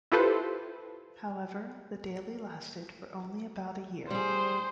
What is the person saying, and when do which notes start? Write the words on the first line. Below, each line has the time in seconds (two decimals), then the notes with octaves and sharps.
However, the daily lasted for only about a year.
0.12 E4 F4 G4 A4 B4 C5
4.10 G3 G#4 C5